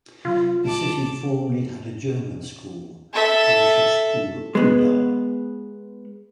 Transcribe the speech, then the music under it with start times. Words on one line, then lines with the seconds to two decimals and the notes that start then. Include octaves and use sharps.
The city formerly had a German school, Deutsche Schule Kroondal.
0.25 C3 F#3 F4
0.64 D1 G#3 A5 D6
3.13 A4 E5
4.55 G#3 B3